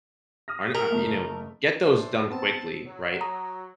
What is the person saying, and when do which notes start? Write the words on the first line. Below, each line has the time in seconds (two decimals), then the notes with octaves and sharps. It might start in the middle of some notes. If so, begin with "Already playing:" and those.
Aren't I you know, g get those done quickly, right?
0.48 D#6 F6 A#6
0.74 A#4 B6 F#7
0.90 F#1 A3 A#3
1.87 E3 D4 A4 C5
2.30 B3 C4 A5
2.86 F#3
3.21 A#5 D#6